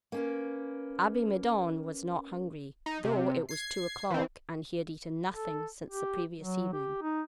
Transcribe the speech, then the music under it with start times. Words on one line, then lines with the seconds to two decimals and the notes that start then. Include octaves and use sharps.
Abbe Midon was not hungry, though it was two o'clock, and he had eaten nothing since the previous evening.
0.12 A#3 C#4 B4
2.86 D#4
3.04 C3
3.49 G#6 C7
4.10 E3 C4
5.32 A4
5.89 G4
6.39 F#3
6.73 G4
7.02 D#4